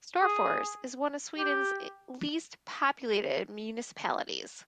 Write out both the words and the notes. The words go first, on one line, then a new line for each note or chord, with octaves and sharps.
Storfors is one of Sweden's least populated municipalities.
G#4
G4